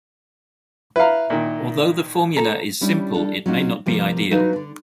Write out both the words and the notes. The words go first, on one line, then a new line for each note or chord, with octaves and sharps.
Although the formula is simple, it may not be ideal.
E4 B4 F5 A#5
A#2 D#3
A4 A#5
G3 C#4 D4 E4
G3 D4 A4
F#3 C4 C#4 D#4 F4 F#4
C3 F3 G3 A#3
F#3 D#4 E4 F#4 B4 F5
D3 D4